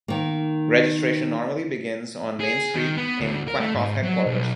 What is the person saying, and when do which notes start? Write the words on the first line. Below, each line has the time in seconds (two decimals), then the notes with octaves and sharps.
Registration normally begins on main street in Quack-Off Headquarters.
0.08 D#3 A#3
2.40 G#4
2.75 D#3
2.97 B3
3.20 D2
3.48 A#4
3.60 A3
3.75 G#2
4.03 F#3
4.26 B1